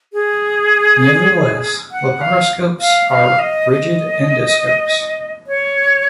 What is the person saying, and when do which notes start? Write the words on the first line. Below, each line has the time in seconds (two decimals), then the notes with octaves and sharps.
Nevertheless, laparoscopes are rigid endoscopes.
0.13 G#4
1.92 F#5
2.21 F5
2.80 F5
3.09 F5
3.39 D#5
3.70 D#5
5.47 C#5